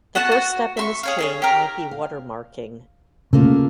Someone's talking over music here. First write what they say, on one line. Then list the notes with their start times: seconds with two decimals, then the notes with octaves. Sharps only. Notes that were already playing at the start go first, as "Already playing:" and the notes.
The first step in this chain might be watermarking.
0.15 B3 F#4 F#5 A5
0.32 F#4
0.77 E5 C6 C#6
1.03 G#4 C#5 F5
1.19 G#4 A4 C#5
1.42 G4 A#4
1.91 F5
3.33 C#3 A3 A#3 F4